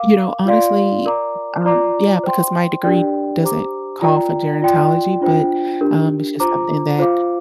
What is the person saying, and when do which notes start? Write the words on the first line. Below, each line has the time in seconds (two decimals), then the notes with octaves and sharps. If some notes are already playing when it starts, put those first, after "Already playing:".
you know, honestly um, yeah, because my degree doesn't call for gerontology, but, um, it's just something that
Already playing: A#4 F5 D6
0.45 F4 D5 F5 C6
1.06 A#4 D5 A#5 D6
1.65 F4 D5 A#5 D6
2.24 C5 G5 C6
2.83 D4 G4 A#4 D5 G5
3.43 G4 C5 A#5 D6
4.02 F4 A#4 D5 G5 A#5
4.62 F4 D5 G5 C6
5.21 D4 F4 C5 G5
5.81 D4 G4 A#4
6.40 F4 C5 A#5 D6
6.99 F4 C5 F5 D6